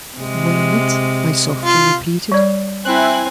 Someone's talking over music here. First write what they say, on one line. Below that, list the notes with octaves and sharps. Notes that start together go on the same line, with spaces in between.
"Wait?" I softly repeated.
C3 G#3
F4
G3 D5
C4 E4 G#5 F#6